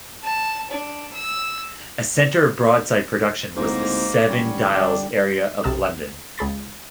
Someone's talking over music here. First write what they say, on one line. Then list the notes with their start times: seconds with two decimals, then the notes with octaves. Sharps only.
A centre of broadside production was the Seven Dials area of London.
0.23 A5
0.71 D4
1.13 E6
3.56 D1 G#2 F#3 A#3
4.29 E1 G3 C#4
4.61 D3 D4 G4
5.63 B1 C3 A5 D#6 F6
5.85 F#5
6.38 C#2 G#4 B5 A6